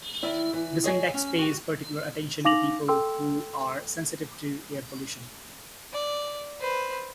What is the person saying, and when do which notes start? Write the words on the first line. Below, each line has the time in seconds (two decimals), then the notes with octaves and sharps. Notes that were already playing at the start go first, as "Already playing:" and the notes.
This index pays particular attention to people who are sensitive to air pollution.
0.23 D#3 E4 D5
0.53 E3
0.84 G#4 C#5 D#5 G#5
1.14 C#4
1.38 F#4 G4
2.45 D#4 F5 D6 A#6 F7 F#7
2.88 A4 G5 C6 E6
5.93 D5
6.60 B4 C5